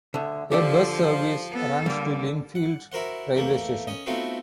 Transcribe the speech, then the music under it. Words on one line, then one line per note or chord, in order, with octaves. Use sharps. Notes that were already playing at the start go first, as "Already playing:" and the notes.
A bus service runs to Lindfield railway station.
D2 D3
D3 F3 G4 A4 D5
B3 A4
D3 G3 A#3
F#5
E4 F#4 A#4 C5 F#5
E2 A3 A#3
C#4 D#5
A3 B3 C4 D#4 F4 F#4